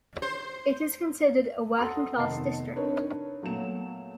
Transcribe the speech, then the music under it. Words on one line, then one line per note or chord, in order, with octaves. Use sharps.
It is considered a working class district.
C5
A4 F#5 A#5 C6 D#6
F1 D#3 B3 D#5 A5 C7
C4 D4 D#4 A#4 B4 C#5
A#2 F#3 A3 B3 E7